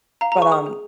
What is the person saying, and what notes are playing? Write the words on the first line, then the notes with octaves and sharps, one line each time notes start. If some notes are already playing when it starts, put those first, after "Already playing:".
But, um,
F5 A#5
A#5
G#4
C#6
G#4 D#6
G#4